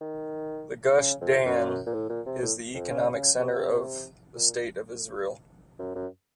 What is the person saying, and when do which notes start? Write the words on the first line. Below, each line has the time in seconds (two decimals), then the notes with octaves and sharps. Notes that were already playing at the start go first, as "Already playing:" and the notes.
The Gush Dan is the economic center of the state of Israel.
0.01 D#3
0.97 C#3
1.21 F2
1.45 F#2
1.86 A#2
1.93 A2
2.09 A#2
2.26 C3
2.42 A2
2.74 F2
2.90 C#3
3.14 C#3
3.38 C3
4.35 A#2
5.79 F#2
5.95 F#2